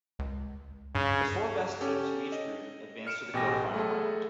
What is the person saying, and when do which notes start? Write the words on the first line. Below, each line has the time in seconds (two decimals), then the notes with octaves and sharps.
The four best teams from each group advanced to the quarterfinal round.
0.19 C#2
0.95 G2 C#3
1.81 C#4 G4 A4
2.32 D#5
3.07 F6 C#7 D7 E7
3.33 A1 B2 G4 G5 G#5 A#6
3.74 A3 G#4 A4